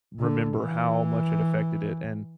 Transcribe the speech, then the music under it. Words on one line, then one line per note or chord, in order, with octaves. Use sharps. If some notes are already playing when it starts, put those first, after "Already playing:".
remember how much it affected it and,
D3
E3